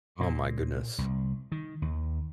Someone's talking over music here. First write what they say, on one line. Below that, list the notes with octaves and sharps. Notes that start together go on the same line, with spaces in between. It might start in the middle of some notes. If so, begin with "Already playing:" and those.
Oh my goodness.
A#2
C2
D#3
D#2